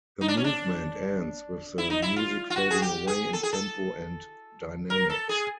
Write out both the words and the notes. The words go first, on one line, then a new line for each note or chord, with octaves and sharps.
The movement ends with the music fading away in tempo and dynamics.
D#4
D4
C#4
D4
E4
D#4
E4
F4
F4
F#4
G#4
G4
G#4
A4
G#4
A4
A#4
A4
G#4